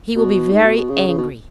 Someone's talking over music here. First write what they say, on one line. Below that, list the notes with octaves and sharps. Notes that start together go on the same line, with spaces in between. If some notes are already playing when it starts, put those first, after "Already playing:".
"He will be very angry."
B2
G#2
B2
B2
C#3
C#3
B2